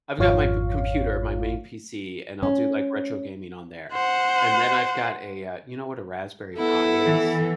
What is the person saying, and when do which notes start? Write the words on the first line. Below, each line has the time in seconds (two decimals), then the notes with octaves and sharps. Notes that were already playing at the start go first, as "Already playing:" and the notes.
I've got my computer my main PC, and I'll do, like, retro gaming on there, and then I've got a, uh, you know what a Raspberry Pi is?
0.19 G#1 F2 F4 C#5 F5
2.43 C#4
3.93 C5 F#5
6.57 B3 E4 A4
7.05 E3